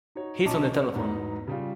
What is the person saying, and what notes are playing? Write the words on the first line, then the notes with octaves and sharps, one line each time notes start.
He's on the telephone.
D#4 F#4 C#5
B1 C#4 D#5 A5 D6
E2 G#2 F#3 B3 D#4
C#3 G3 F4